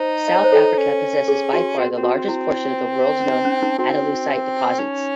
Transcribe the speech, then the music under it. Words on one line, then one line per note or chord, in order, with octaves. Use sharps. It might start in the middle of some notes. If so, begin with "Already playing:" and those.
South Africa possesses by far the largest portion of the world's known andalusite deposits.
Already playing: D#4 C5
D#5
C#5
C5
A4 C#5
C#4
G#4
F#4
C4 F#4
C4
F#4
E4
C#4
D#4
C#4
D#4
C4 F#4
C#4 D#4